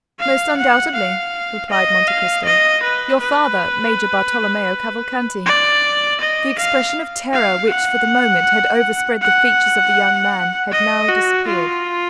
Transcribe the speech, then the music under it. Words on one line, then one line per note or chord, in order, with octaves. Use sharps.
"Most undoubtedly," replied Monte Cristo; "your father, Major Bartolomeo Cavalcanti." The expression of terror which, for the moment, had overspread the features of the young man, had now disappeared.
F5
F#5
F5
D#5
F5
D#5
B4
B4
D5
D#5
F5
F5
F#5
F#5
D#5
F#4
F4